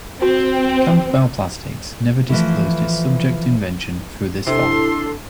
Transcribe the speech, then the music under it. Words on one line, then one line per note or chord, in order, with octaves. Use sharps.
Campbell Plastics never disclosed its subject invention through this form.
C4 F#4
E3 F3 A3 E4
C3 D4 E4 A4 C6